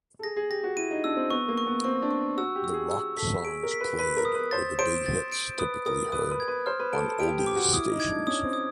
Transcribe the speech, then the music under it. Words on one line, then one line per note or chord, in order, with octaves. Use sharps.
The rock songs played were the big hits typically heard on oldies stations.
A4
G#4 A#6
G#4
G4 A#6
F#4
E4 D#7
D#4
D4 E6
C4
B3 C#6
A#3
C#6
B3
C4 C#6
D4
C#6
F#4 E6
G4
E6
G#4
G#4 E6
A4 B6
G#4 D7
A#4
B6
B4
B4 B6
A#4
D#6
B4
C5 A6
C5 D7
A6
D7
B4 D#6
A#4 D#6
B4 D#6
B4
G#6
B4
C5 F6
B4
A4 D7
A4
G4 D7
G4
D6
F#4
E4 D#6
D#4
G#6
D4
C#4 D#6
C4
D#6